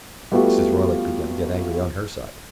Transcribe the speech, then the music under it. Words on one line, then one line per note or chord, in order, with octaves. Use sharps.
Mrs. Roylake began to get angry, on her side.
G3 A3 B3 F4 F#4